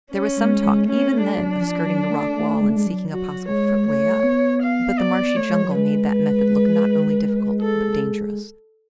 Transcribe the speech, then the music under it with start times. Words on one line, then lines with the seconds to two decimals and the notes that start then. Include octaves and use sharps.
There was some talk, even then, of skirting the rock wall and seeking a possible footway up, but the marshy jungle made that method look not only difficult but dangerous.
0.11 C#4
0.36 G#3
0.61 G#3
0.86 A3 C#4
1.11 A3
1.23 D4
1.36 F#3
1.60 F3
1.86 F#3
2.11 A3
2.36 A3
2.61 G#3
2.69 A3
2.76 G#3
2.86 F#3
3.11 F#3 F#4
3.48 G#3 C#5
3.86 A3 C#5
4.24 B3
4.61 F5
4.99 D5
5.36 A3 C#5
5.49 G#3
5.63 F#3
5.74 G#3 B4
6.11 B4
7.61 A4